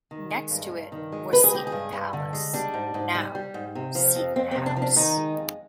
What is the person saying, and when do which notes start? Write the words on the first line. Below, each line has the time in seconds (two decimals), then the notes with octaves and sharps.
Next to it was Seton Palace, now Seton House.
0.11 D#3
0.31 G#3
0.51 G2
0.71 G2
0.92 D#3
1.12 G#3
1.32 D3 B4
1.44 G#4
1.52 G#3 G4
1.67 G#4
1.72 G2
1.92 G2
2.13 D3
2.33 G#3
2.53 G3 D4
2.74 G#2
2.94 G#2
3.15 G3
3.35 G3
3.54 G#2
3.75 C3
3.95 F3
4.15 F2
4.36 F2 C4
4.51 C4
4.56 C3
4.66 D4
4.77 F3
4.82 D4
4.96 D#3 D#4
5.17 G#3
5.37 F2